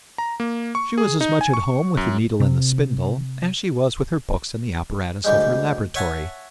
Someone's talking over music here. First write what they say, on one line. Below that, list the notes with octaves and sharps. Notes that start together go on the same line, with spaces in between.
She was as much at home with the needle and the spindle as she was with her books and the apparatus of her laboratory.
A#5
A#3
C#6
G#4
D#4
G#5
C#6
F#2
C3
D2 G#2 G3 G#3
C#5 E5 F#5 G#5 A5